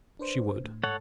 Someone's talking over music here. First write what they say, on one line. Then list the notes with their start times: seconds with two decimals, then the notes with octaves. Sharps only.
She would.
0.19 D4 B4 C5
0.64 A2
0.83 G#2 A4 C#5 F#5